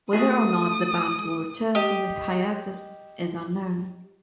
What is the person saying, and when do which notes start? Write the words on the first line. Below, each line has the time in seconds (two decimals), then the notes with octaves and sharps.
Whether or not the band will return from this hiatus is unknown.
0.13 A3 F#4 G#4 D#6
1.75 G4 D#5